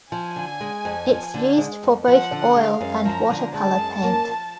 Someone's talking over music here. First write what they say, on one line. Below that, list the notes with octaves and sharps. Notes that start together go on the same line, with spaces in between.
It's used for both oil and water color paint.
F3 G#5
D3
G#3
F2
F3
D3
G#3
F2
F3 F#5
D3
G#3 F5
F#2
F3 A#5
D3
G#3 A5
F#2
A#3
F3